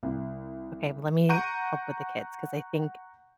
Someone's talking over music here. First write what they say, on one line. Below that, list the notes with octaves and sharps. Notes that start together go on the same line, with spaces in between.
"Okay, lemme help with the kids," 'cause I think
C2
F#5 A#5 C#6 G6 D7 D#7